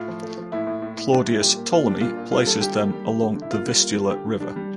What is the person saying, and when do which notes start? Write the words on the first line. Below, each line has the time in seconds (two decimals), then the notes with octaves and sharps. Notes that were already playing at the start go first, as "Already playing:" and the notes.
Claudius Ptolemy places them along the Vistula river.
Already playing: A2 F4
0.08 F3
0.23 A3
0.37 F3
0.52 A2 E4
0.67 A2
0.82 A2
0.97 A2
1.12 G3 D4
1.27 G3 E4
1.42 A#2 G4
1.56 A#3
1.71 A#3 F4
1.87 G3 D4
2.01 A#2 F4
2.16 A#2
2.31 G3 F4
2.46 G3 A4
2.61 D3 G4
2.76 A#3
2.91 G3
3.06 G3
3.22 D3
3.35 D3
3.42 E4
3.51 A#3 F4
3.66 G3
3.81 A#3
3.96 G3
4.10 D3 G4
4.26 D3
4.40 G3 D4
4.56 G3